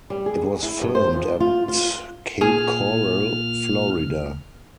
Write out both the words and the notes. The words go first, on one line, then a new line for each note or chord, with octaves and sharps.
It was filmed at Cape Coral, Florida.
G3
G#4
E4
G2
C5
F2
F4
F4
A#2 G#4 F6